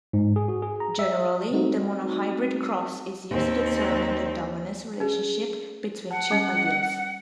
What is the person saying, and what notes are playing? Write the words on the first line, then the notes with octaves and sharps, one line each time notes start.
Generally, the monohybrid cross is used to determine the dominance relationship between two alleles.
G#2
G#4
F#4
G#4
A#5
E5
G3 A3 C4 D#4 F#4
D#2 C4
C#4 G#4
F#5 A5
G3 C#4